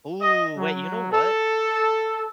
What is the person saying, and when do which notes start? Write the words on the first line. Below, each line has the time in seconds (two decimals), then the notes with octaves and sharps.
Ooh, wait, you know what,
0.21 D#5
0.58 F#3
1.12 A4